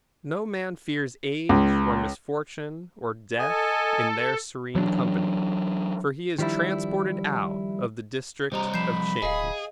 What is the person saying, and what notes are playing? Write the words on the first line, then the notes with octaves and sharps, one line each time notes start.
No man fears age or misfortune or death, in their serene company, for he is transported out of the district of change.
C#2
A4 D#5 G#5
E3 F#3 B3 D4
D#3 F3 G3 D4 E4
C3 G3 G4 C5 D#5 A#5
F3 B5 G6 C7 E7
D1 G#4 D#5 F5